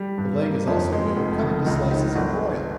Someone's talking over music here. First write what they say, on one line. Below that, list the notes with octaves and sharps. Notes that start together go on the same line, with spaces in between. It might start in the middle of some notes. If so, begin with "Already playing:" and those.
The leg is also good, cut into slices and broiled.
Already playing: G3
G2
A#3
F2
G#3
F1
C#3
C#2
D#3
G1